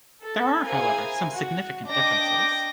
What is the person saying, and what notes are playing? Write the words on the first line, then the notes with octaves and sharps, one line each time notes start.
There are however some significant differences.
A4
E4 G#4 A#4 C5 F5 G#5
F#4
D4 D#5 G5 D6 A#6